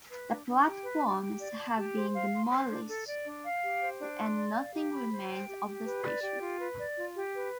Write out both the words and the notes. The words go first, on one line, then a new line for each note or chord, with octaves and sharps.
The platforms have been demolished and nothing remains of the station.
B4
D4
D4
G4
B4
D4
G4
D5
A5
G4
C5
F5
C6
C5
D4
A4
D5
D4
F5
G4
C5
D4
C6
D5
F5
G4
B5
C5
G5
G4
G4
B4
D5
G4
F4
B4
D5
F4
G4
B4